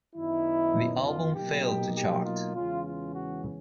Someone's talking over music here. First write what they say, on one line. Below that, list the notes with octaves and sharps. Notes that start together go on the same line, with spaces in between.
The album failed to chart.
F#2 D#3 F#3 B3 D#4 E4
F4
B2 F#3 A#3 D#4 G4
G4
G4
F4
E2 C#3 E3 G#3 C#4 F4
F4
F#4